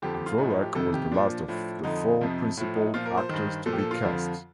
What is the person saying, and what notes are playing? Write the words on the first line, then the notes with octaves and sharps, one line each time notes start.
Dvorak was the last of the four principal actors to be cast.
F2 D3 F3 G4
G4
F4
A2 D#4
F3
D#4
G4
F2 C3 D#3 A4
G4
A#2 F3 D4
A2 F3
F2 D3 F3 D#4
F2 C3 F3
A2 F3
D#4
A#2 F3 F4
A#4
C5
G2 D#3
A#2 F3 A4
G4
A4
F4
F2 D3 F3